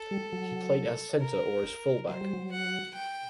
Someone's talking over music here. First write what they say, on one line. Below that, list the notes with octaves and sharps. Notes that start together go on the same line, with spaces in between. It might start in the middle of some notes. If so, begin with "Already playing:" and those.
He played as centre or as fullback.
Already playing: A4
G3
F#3
A#4
F#3 C5
G3
F#3
F#5
G5